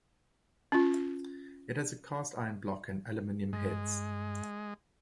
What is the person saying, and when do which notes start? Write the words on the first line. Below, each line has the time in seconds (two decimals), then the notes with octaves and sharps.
It has a cast iron block and aluminum heads.
0.72 C#4 F4
3.53 G2 G#3